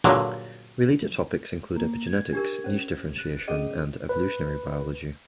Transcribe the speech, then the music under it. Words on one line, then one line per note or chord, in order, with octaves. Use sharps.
Related topics include epigenetics, niche differentiation, and evolutionary biology.
G2 A#2 D3 F#3 G#3
A#3
G#6
D4 G4 A#4
C#4 C5
F#6 A6
C#4 G#4 D#5 D6
B4